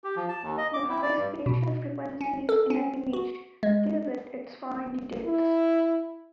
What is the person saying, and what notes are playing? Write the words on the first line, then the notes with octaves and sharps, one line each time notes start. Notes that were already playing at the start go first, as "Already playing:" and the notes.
The high spatial frequencies in an image give it its fine details.
G4
F3
A5
D#2
D#5
D6
E4
D5
G2
B2
C#4
A4
C#4
F#4
G#3
E4